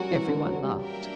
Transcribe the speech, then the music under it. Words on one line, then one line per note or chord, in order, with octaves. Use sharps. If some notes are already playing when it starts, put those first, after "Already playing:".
Everyone laughed.
Already playing: F#3 G3 C#4 F#4 A#4
E3
D3
F#3
G3
A#3 D4 A#4 E5 G5